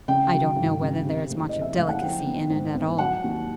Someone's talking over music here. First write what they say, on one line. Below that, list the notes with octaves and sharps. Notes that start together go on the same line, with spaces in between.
"I don't know whether there is much of delicacy in it at all."
C#3 G5
F#3
G#1
C#3
C3
F#1
F2 D#5
E5
F#1 F5
F#5
F3 G5
B3
G#2
B3
F#3 F#5
D#2